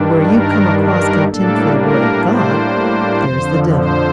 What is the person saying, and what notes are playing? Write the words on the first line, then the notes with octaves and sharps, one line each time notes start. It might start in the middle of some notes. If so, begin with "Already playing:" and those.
Where you come across contempt for the Word of God, there is the devil.
Already playing: G2 D#3 G3 D4
A#4
A#4
A2 G3 A#3 D4 A4
A#4
C5
F2 D3 F3
C5